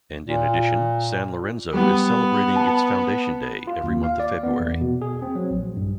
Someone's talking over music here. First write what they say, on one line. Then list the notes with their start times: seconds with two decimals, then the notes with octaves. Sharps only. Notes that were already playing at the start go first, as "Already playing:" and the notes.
And in addition, San Lorenzo is celebrating its Foundation Day every month of February.
0.25 A#2
1.73 G3 B3
2.56 A5
3.67 F4
3.84 D#2
4.04 F5
4.19 D5
4.43 B3
4.60 E2
4.81 B2
5.02 G#4
5.22 C4
5.36 F#3
5.51 A#1
5.77 G2